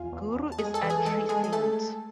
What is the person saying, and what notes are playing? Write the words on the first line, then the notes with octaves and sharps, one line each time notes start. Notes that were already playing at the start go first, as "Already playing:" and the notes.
Guru is Atri saint.
Already playing: E2 F4 F5 G#5
E2
E2
A5
G#3 G#4 G#5
A4 A5
E3
G#4 G#5
G#3 A4 A5
G#3 G#4 G#5
G#5
A3 A4 A5